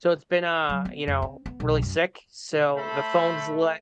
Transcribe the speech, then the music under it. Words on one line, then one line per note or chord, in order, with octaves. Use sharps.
so it's been, uh, you know, really sick, so, the phone's le
F#3
B3
F2
C4
B3
B1
F#2
A3 A4 C5 B5